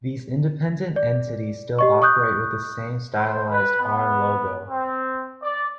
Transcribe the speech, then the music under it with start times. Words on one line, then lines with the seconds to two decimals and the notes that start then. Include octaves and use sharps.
These independent entities still operate with the same stylized "R" logo.
0.96 D5
1.79 G4 D#5 C#6
2.02 C#6 D#6 F#6 G6
3.15 C5
3.49 B4
3.81 B3
4.69 C4
5.43 D5